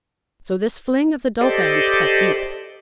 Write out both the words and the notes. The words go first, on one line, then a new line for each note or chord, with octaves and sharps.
So this fling of the Dauphin's cut deep.
G4 A4 C5 D5 D#5